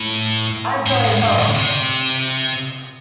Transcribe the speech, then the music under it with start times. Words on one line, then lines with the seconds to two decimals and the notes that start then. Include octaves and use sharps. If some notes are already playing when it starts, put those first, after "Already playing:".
I'm going home!
Already playing: A2
0.86 A2
1.05 A2
1.22 G2
1.38 A2
1.55 C3